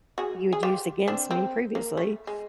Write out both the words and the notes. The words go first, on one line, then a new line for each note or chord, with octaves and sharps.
you had used against me previously eh,
F#4 G#4
G#4
F4 G4
C4 D4
C4
A#3
A3
G#3